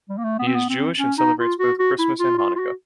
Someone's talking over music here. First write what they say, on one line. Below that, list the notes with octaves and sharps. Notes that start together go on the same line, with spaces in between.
He is Jewish, and celebrates both Christmas and Hanukkah.
G3
A#3
A3
B3
C4
B3
C4
C#4
D#4
F4
F#4
F#4
E4
F4
F4
F4
F#4